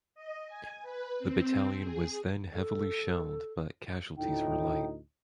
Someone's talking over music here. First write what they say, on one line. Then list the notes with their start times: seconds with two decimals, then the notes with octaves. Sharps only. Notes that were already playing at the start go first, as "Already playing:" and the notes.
The battalion was then heavily shelled but casualties were light.
0.15 D#5
0.47 G#5
0.82 B4
1.19 C4
1.80 G#4
2.53 A4
4.17 D2 A2 D#4 G5